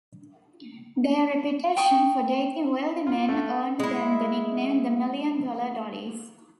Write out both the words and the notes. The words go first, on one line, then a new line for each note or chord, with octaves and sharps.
Their reputation for dating wealthy men earned them the nickname "The Million Dollar Dollies".
G5 A5 C#6 D#6
F4
A3
G#3 E4